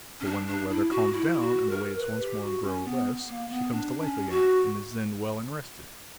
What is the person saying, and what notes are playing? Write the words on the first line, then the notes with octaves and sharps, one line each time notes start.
But when the weather calms down and the waves once more grow less, she comes to life again, and is then well and rested.
C#4
D4
D4
E4
F#4
E4
F#4
A#4
B4
G4
F#4
C#4
B3
A#3
B3
D4
C#4
F#4